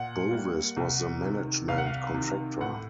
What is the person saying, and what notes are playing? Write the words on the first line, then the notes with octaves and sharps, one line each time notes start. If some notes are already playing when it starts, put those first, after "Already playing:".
Bovis was the management contractor.
Already playing: A#2 F#5
G3 A#3
C2
C3 D#3
C2 F5
F#5
F5
C3 D#3
A2 F#5